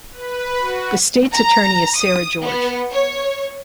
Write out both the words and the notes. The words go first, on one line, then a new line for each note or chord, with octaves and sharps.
The state's attorney is Sarah George.
B4
F#4
A#5
D#6
B3
C#5